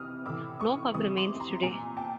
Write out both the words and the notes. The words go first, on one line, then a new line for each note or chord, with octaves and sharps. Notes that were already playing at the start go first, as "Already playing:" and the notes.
No pub remains today.
Already playing: C3 E3 D#6 F6
A2 E3 D6 E6
C#6 D#6
C3 E3 C#6 D#6
C6 D6
A#5 C6
A#2 G#5 A#5
G5 A5